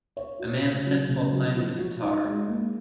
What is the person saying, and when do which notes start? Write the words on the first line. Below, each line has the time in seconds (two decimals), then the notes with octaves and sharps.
A man sits while playing the guitar.
0.17 C#5
0.39 F#4
0.63 C#3
0.87 F#3
1.09 C#3
1.32 F#3
1.56 F3
1.79 F#4
2.02 D#4
2.25 G#3
2.48 A#3